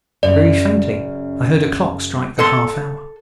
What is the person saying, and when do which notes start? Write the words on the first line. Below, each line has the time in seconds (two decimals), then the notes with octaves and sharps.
Very faintly I heard a clock strike the half-hour.
0.23 F#2 C#3 D5
2.39 A4 C6